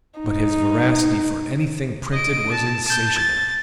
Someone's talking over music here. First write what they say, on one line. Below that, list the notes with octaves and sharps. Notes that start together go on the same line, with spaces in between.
But his voracity for anything printed was insatiable.
D#4
D#5 D7
A5
A5 G6
A6